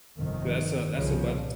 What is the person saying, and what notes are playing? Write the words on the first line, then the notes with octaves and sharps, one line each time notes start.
That's a that's a webs
G1 F2 C3 D#3
C2 A#2 C#3 F3